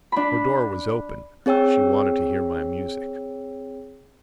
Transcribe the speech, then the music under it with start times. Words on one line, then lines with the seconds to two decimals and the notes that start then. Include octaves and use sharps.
Her door was open: she wanted to hear my music.
0.12 D4 B5
1.46 C4 G#4 C#5 G5 E6